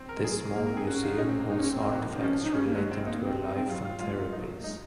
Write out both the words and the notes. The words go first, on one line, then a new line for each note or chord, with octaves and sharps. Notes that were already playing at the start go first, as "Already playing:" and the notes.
This small museum holds artefacts relating to her life and therapies.
Already playing: C4
A#4
G#3
F#3 G#4
A#3 A#4
A#4
C4
G#4
C#4 F#4
D#4 F4
C#4 D#4
C4
A#3
G#3 D#4
C#4
C4
A#3
F#3
F3
D#3 C#4
F3
F3
D#3 D#4
C#3 C#4
D#3 A#3
F#3 G#3
C4
G#3
A#3 D#4
C4
C4
C4
F#3 F4
F4
G#3 F4
F#3
G#3
F#3 D#4
A#3
G#3 D#4